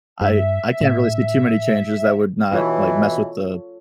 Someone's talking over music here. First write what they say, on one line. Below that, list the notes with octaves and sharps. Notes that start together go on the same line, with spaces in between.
I I can't really see too many changes that would not, like, mess with the
G2 E5
A2
B2 E3 F4 A4 C#5